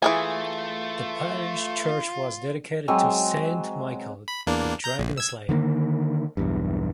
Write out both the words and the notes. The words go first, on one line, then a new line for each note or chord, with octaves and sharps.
The parish church was dedicated to Saint Michael, the dragon slayer.
E3 A3 F4 G#4 G#5
F#3 G#3 C4
B5
E2 A#3 D4
A#5 G6
A#1
E6 G#6
D3 D#3 G#3 A#3
B1 E2 G2